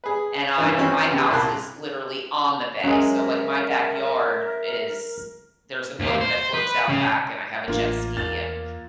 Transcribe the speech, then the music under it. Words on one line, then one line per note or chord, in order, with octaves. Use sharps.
and I'm my house is literally on the bay, so, like, my backyard is there's a boat that floats out back, and I have a jet ski, and
G#4 B4
G2 D#3 E3
E3 C4 C#4 F#4
C#3 B3 G4
C2 A#2 A5 B5 C6 F#6
F#3 G#3 C#4 A#4 E5
D#2 A#3
C5
B4
C#3
A1 A#3 D4 F4
E2 A6